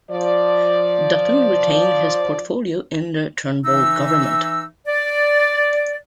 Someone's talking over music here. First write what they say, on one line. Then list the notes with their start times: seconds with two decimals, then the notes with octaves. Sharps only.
Dutton retained his portfolio in the Turnbull Government.
0.11 F3 D5
3.65 E3 D#4 E5 E6
4.87 D5